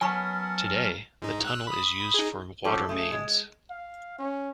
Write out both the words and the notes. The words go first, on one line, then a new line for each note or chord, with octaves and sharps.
Today the tunnel is used for water mains.
F#3 B3 C#4 A#4 G#5 A5 B5 C#6
G#2 D#4
E6 F#6
B5 D#6
D#4 G#4
F3 C#4 F#4 G4 A4
A3 C#4 G#4
G#3
F5
C#4